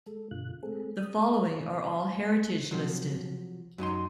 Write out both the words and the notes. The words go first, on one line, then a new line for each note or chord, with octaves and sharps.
The following are all heritage-listed.
G#3 A4
G2 B2 D3 F4 F#6
G#3 A3 C4 G#4 A4
D#6
C3 F3 F#3
F#2 F#3 D#4 C6